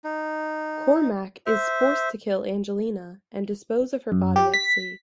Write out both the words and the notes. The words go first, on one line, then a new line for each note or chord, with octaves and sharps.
Cormac is forced to kill Angelina and dispose of her body at sea.
D#4
C5 E5
F#2
G4
B6